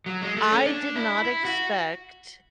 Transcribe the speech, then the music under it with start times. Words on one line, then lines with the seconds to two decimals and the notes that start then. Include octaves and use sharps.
I did not expect
0.06 F#3
0.21 G#3
0.37 A3
0.51 C#4
0.66 D4
0.96 E4
1.25 E4
1.45 F#4